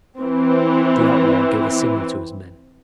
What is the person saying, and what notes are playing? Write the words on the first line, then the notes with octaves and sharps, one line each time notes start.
The outlaw gave a signal to his men.
E3 C4